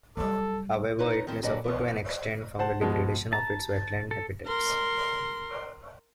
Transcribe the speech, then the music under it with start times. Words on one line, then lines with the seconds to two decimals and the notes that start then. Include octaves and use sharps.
However, it may suffer to an extent from the degradation of its wetland habitats.
0.17 F#3 G3 A4
0.99 D#4 E4 B4 C#5
1.27 D#3 F3 C4 E4
1.43 A#2 D3 F#3 G3 B4 D#5
1.64 E3 F3 B3
2.59 C5 F#5 A5
2.81 B2 F3 G#3
3.33 A5 A#5
4.11 A4
4.47 A#4 C6